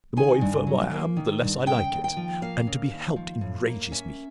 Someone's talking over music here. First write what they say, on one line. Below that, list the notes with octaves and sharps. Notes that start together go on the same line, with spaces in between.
The more infirm I am, the less I like it--and to be helped enrages me.
D#3 G#5
G2
F#3
A#3
D#3
G2
C#3 G5
D#2
G5
F3
A#3 F5
C#3
D#2
F3
A2
A#3
C#4 E5